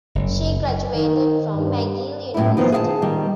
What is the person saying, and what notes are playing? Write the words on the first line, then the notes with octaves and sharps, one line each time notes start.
She graduated from McGill University.
F#1
D#3
G2
F#2 A2 B3 E4
D#3 F3 B3
G#4 F5 A5
D#3 G3